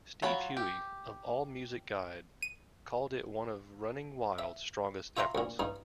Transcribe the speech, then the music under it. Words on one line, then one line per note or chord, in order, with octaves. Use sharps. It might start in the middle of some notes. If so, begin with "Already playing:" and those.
Steve Huey of All Music Guide called it one of Running Wild's strongest efforts.
F#3 F4 F#4 C#5 B5
G4
D#7
E5
F4 E5 G5 A#5 C6
D2 A#2
G2 D#4